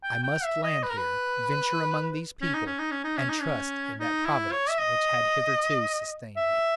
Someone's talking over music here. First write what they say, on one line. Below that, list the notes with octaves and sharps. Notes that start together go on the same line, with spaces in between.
I must land here, venture among these people, and trust in that Providence which had hitherto sustained me.
G5
G5
E5
D#5
B4
A#4
B4
C#4
D#4
C#4
D#4
C#4
D#4
C#4
D#4
C#4
D#4
E4
C#5
E5
D#5
E5